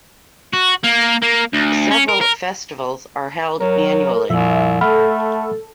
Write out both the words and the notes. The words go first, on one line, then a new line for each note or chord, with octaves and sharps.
Several festivals are held annually.
F#4
A#3
A#3
D2
C#4
A#4
A#4
F#3 A#4
C2 F2 A#2 F3 E5
A3 A4 F#5 B5 F6